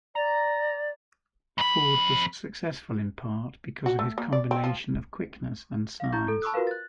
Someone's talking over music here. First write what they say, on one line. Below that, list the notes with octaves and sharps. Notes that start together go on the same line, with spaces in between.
Ford was successful in part because of his combination of quickness and size.
D5 A#5
F2 B5
F#4
A3
A#3
D5
C4
F3
F5 A#6
E4 A#5 C#6 G6
A4
A5 B5 C#6 D#6 E6 F#6
F4 F#4 A#4 B4 F5
F#6 A6